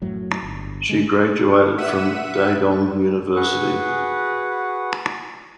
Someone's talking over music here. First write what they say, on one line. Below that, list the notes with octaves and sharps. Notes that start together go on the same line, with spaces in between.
She graduated from Dagon University.
F#2 A2 F#3
G1
D3 G#3
E5 F#5 E6 F#6 B6 D#7
F#4 G#4 B4 F#5